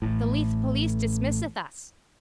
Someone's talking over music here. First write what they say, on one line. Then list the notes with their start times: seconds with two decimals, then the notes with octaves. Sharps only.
The Leith police dismisseth us.
0.02 A1 A2